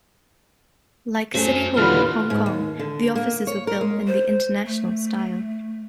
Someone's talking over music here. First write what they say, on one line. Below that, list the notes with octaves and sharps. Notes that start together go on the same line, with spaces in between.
Like City Hall, Hong Kong, the offices were built in the International style.
A3 C#4 F#4 C5 G#5
D#2 A#2 D3 E3 A#3 F4 B4 F6
G#2
D#2
D3
A#3
C#5
A#4
G#3
C5
A3